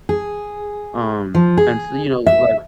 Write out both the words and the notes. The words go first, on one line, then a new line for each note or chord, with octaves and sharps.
um, and so, you know, like
G#4
F3
G#4
E5